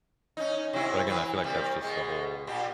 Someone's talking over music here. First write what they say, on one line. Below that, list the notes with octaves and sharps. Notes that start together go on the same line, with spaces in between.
But, again, I feel like that's just the whole
C#4 D#4
C3 F#3 E4
E3 B4
C3 G3 A#3
B2 G#3
A#2 G4